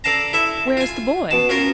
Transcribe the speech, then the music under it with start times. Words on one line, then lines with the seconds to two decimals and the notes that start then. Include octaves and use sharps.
"Where is the boy?"
0.04 A4 D5 F5 A5 A#5
0.33 E4 A4 E5
0.77 F4 G#5
1.31 B2 A5
1.49 C#4 F4 A#4